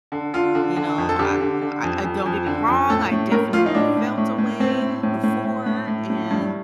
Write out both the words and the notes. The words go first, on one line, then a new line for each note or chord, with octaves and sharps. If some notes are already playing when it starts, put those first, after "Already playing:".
you know, I, uh, I I don't get me wrong, I definitely felt a way before and,
D3
D3 F4
D3
D3
F2
A4
D3 G4
D3
D3
F2
F2
F2
D3
F2
A2 A4
A2
A2 A#4
A2 F4
D#4
A2 D4
A2
A2
A2
A2 C4
A2
A2
A2
A2
A2
A2
A2
G2